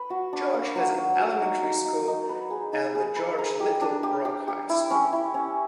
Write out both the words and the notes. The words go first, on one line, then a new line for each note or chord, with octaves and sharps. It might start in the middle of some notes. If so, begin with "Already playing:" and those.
George has an elementary school and the George-Little Rock High School.
Already playing: B4
F#4
D4
A#3
F#3
F#3
F#3
D#4
D#4
D#4
D#4
B4
G#4
D#4
G#4
B4
A#4
G4
D4
G4
G4
G4
E4
C#4
E4
C#4